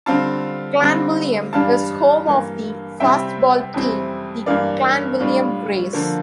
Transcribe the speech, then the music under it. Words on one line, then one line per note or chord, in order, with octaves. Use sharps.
Clanwilliam is home of the Fastball team the Clanwilliam Greys.
D3 G3 C4 F4 F5 A5
D3 G3 C4
G2 E3 G3 D4 F5 A5
G2 E3 A#3
C3 G3 C4 E4 E5 G5
F2 E3 G3 C4
G2 E3 A#3 D5 F5
A2 G3 D4 F4
D3 F3 A#3